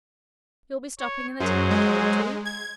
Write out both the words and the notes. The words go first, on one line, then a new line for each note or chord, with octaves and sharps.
You'll be stopping in the town a day or two?
C#5
F#2 F#3 G#4 C5
G#3
G#6